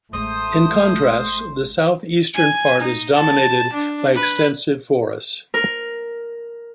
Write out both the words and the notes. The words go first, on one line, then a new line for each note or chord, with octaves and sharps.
In contrast, the southeastern part is dominated by extensive forests.
A1 G#3 A3 C5 D#6
G#5
D#4
A5
D4
B4
A#4